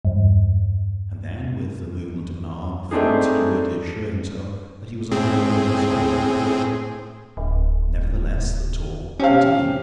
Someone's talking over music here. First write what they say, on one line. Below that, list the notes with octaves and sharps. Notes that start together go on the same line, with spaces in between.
And then, with the movement of an arm, a foot, he would assure himself that he was alone in his holland. Nevertheless, the talk continued.
E2 G2
A3 C4 D4 D#4 G#4
A2 C4 G#4
D1
C#4 G4 C5 F5